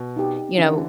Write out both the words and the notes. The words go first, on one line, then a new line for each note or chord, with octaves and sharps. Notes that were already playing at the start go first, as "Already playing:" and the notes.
you know,
Already playing: B2
D#4 G4
D3 E3 C#4